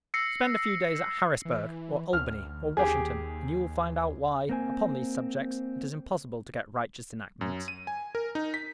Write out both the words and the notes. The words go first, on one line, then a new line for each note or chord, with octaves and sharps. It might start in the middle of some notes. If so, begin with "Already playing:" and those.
Spend a few days at Harrisburg, or Albany, or Washington, and you will find out why, upon these subjects, it is impossible to get righteous enactments.
E6 A#6 C7 C#7
E3
D2 F6
D#2 G4 G#4
A#3 C4 G#5
F#2
D#7
G#5
A#4
D#4
B6